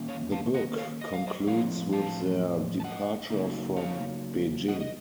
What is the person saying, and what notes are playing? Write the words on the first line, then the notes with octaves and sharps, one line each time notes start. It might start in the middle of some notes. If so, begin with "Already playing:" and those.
The book concludes with their departure from Beijing.
Already playing: D#3 A#3 C#4
C#5 F5
F5 A5
D#5 F#5
C#5 F5
D#5
F5
C5 D#5
A2 F3 C4 C#5 F5
F5 A5
A5
D#5 F#5
C#3 F#3 A#3 D#4
C#5 F5
D#5 F#5
D#5